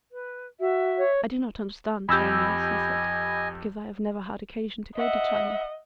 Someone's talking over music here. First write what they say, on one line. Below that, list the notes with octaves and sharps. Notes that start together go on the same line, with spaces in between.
I do not understand Chinese," he said, "because I have never had occasion to go to China.
B4
F#4 E5
C#5
F2 G4 D#5 G#5 B5 E6 G6
D#5 E5 F#5